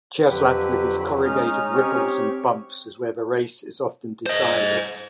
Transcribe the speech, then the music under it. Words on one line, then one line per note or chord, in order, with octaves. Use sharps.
Ciaslat with its corrugated ripples and bumps is where the race is often decided.
F2 D3 F#3 G4 B4
G#3 C#4 D#4 F6
C4 G4 C#5
C5 D#5